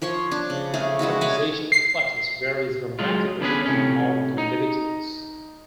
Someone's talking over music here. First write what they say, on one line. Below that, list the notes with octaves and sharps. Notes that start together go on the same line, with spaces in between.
The composition of flatus varies dramatically among individuals.
F3 C#5 C6 C#6
D4
C#3
A3 G#4 F5
G#3 C#4 E4 F#4
C#5 D5 E5 G#5
C7
F#3 G#3 F4
D3 B3 C#4 G#4 B4
A2 C3 C#4
D#4